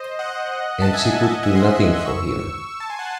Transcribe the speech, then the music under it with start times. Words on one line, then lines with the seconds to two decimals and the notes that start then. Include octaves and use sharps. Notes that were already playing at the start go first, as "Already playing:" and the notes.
And she could do nothing for him.
Already playing: C5 D#5
0.19 D#5 F#5
0.82 A5
0.93 E5 G#5
1.31 D#5 F#5
1.43 E5 G#5
1.55 G#5 C6
2.06 C#6 E6
2.80 A5 C#6
2.90 G#5 C6
2.99 F#5 A5